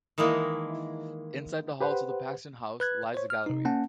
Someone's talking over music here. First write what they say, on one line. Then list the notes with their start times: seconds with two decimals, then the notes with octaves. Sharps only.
Inside the halls of the Paxton House lies a gallery.
0.18 D#3 E3 G#3 A#3 E4
1.81 G4 B4 C5 F#5
2.80 B4 F#6 G#6
3.14 C5 C#5
3.30 F6
3.46 C3 D#4
3.65 A#3 C#4 F#5 A5